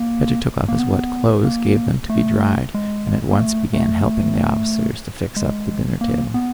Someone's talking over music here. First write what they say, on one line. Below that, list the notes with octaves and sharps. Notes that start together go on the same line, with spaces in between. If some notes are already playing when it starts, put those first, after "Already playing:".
Petya took off his wet clothes, gave them to be dried, and at once began helping the officers to fix up the dinner table.
Already playing: A#3
A#3
B3
A#3
A3
G#3
A#3
A3
A3
G#3
A#3
B3